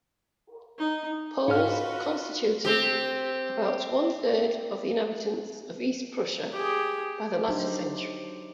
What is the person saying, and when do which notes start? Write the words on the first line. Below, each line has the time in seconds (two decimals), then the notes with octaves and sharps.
Poles constituted about one-third of the inhabitants of East Prussia by the latter century.
0.78 D#4
1.48 G#2 F4 F#4 B4 C#5 D#5 F5 F6
2.65 C4 G4
6.53 G4 G#4
7.48 F#3 D4 D#4 G4 C5